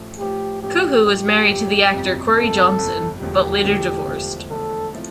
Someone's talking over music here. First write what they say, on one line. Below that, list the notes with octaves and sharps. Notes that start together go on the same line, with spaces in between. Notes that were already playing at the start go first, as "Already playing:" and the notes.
Cohu was married to the actor Corey Johnson, but later divorced.
Already playing: A1 A2 F3 A3
A1 A2 F3 A3 G4
A1 A2 F3 A3 G4
A1 A2 F3 A3 G4
G1 F2 C3
G1 F2 C3
G1 F2 C3 A4
G1 F2 C3
E1 E2 D3 F3 A3 G4
E1 E2 D3 F3 A3
E1 E2 D3 F3 A3
E1 E2 D3 F3 A3 A4
C3 F3 A3 E4